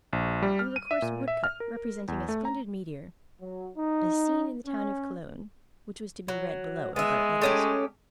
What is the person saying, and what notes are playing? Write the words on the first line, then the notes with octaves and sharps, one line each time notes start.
It was a coarse wood-cut, representing a splendid meteor "as seen in the town of Cologne," which was to be read below in bright letters.
A#1
G3
F6
D#7
E5
A#2
E5
F6
A#4
E2
A3
A#5
F#3
D#4
C#4
F#3
G#3 B3 E5
A3 C#4 G4